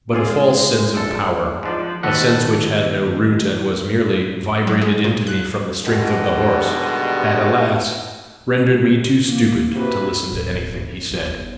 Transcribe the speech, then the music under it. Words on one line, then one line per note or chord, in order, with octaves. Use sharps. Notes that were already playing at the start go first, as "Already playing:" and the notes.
But a false sense of power, a sense which had no root and was merely vibrated into me from the strength of the horse, had, alas, rendered me too stupid to listen to anything he said!
G#1 G#3 F4 G#4
A#1 A4
G#2 F3 D4
D#2 D#3 F#4 A4 B4 F#5
F#3
G#3
A#2
F#6
G2 B2 D3 D#3 G3 G#3
C#2
E3 A#3
C3 F#4 B4
D1
G1